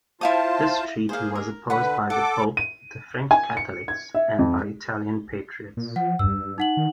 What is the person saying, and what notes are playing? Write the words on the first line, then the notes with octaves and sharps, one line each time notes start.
This treaty was opposed by the Pope, the French Catholics, and by Italian patriots.
E4 F4 C5 F5 A5 D#6
A#3 G#4 C5 F5
A#4
D3 B4 F#5 B5
A4 F#5 D6
D#7
G#5
C#7
G#6
E5
F2
A#2
F3 F#5
G2 E6
D#4 F#5 F#7
D#3